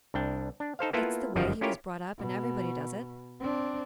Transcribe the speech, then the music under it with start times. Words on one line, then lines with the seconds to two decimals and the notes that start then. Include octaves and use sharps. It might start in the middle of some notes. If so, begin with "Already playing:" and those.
That's the way he was brought up, and everybody does it.
0.14 C2 D4 G5
0.60 D4
0.79 D#4 A4 C5 F5
0.93 A#3 B3 E4 F4 A4 B4
1.36 G1 F#2 D#3 F3 G3 D#4
1.61 C#4 E4 F4 G4 A#4 C#5
2.18 B2
3.40 C4 D4